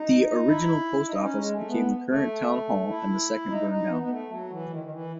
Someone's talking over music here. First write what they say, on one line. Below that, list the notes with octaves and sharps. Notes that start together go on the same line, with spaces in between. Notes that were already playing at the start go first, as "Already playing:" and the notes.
The original post office became the current town hall, and the second burned down.
Already playing: D#4
E4
D#4
C#4
G#3
A3
B3
A3
E4
D#4
D#4
B3
B3
A3
F#3
E3
D#3
D#3
E3